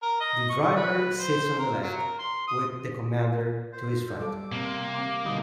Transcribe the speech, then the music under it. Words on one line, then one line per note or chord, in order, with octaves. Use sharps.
The driver sits on the left, with the commander to his right.
A#4
D#5
C#6
B4
C5
A#4
F#3
A#4
C6
D#6
C5
G3 A4 D6
C3 A#3
D6
B2 D3 G3 D#5